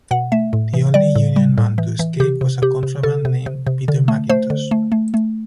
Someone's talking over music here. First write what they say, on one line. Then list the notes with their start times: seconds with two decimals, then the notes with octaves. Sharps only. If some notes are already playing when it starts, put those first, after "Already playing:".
The only Union man to escape was a "contraband" named Peter McIntosh.
0.11 B2 F#5
0.32 A3 E5
0.53 A2
0.74 E3
0.94 G3 D5
1.16 A2
1.36 G3
1.58 A2
1.78 E3
1.99 E3
2.20 C3 G4
2.41 C3
2.62 C3 G4
2.83 C3
3.03 C3 A4
3.25 C3
3.46 C3
3.67 C3
3.88 D3
4.08 A3
4.29 A3 C5
4.50 D3
4.71 A3
4.92 A3
5.14 A3